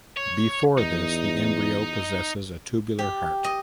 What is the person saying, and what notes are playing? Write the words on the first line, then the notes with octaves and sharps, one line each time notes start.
Before this, the embryo possesses a tubular heart.
C#5
E2 D#4
G4
D#5